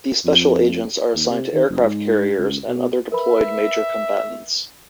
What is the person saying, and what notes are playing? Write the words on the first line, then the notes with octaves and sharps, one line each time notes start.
These special agents are assigned to aircraft carriers and other deployed major combatants.
F2
D#2
C3
D#3
F#1
G#2
C#2
B2
A#4 B4 E5 B5